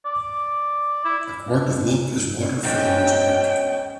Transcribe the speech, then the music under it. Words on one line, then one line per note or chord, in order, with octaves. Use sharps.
A quart of milk is water for the most part.
D5
E4
G#2 B2 C#4 G5